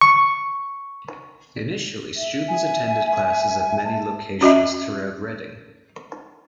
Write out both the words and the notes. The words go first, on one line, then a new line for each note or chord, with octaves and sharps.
Initially students attended classes at many locations throughout Reading.
C#6
E5
G#5
A5
C#4 F#4 D#5 E5